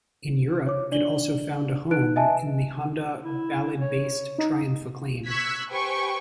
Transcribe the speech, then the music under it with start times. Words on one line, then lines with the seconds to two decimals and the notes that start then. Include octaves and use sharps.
In Europe it also found a home in the Honda Ballade-based Triumph Acclaim.
0.67 C#5 D6
0.92 D4 D5 F#7 G7
1.91 D#4 B4 F#6 D7
2.16 D#5 E5 G#5 A5
3.24 E4
3.80 C#5
4.38 D#4
5.26 C#6 E6 F#6 G#6 B6
5.70 G4 B4 C5 G5 G#5 C#6